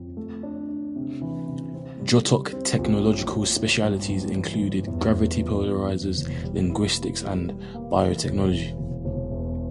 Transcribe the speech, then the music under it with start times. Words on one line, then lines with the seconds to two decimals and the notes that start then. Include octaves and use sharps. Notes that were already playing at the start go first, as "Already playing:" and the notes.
Jotok technological specialties included gravity polarizers, linguistics and biotechnology.
Already playing: F2
0.17 A3
0.43 D4
0.69 D4
0.96 C3
1.21 E3
1.47 C3
1.74 C4
2.00 G3
2.26 G3
2.53 C4
2.79 A#1
3.04 A2
3.31 A1
3.56 A1
3.83 G2
4.09 G2
4.35 E3
4.61 G2
4.87 E2
5.14 E2
5.39 F3
5.65 E2
5.91 E2
6.18 E1
6.44 G3
6.70 E4
6.96 A#3
7.22 G3
7.48 G3
7.74 A#3
8.00 E3
8.26 E1
8.52 E3
8.78 E1
9.05 E1
9.30 E2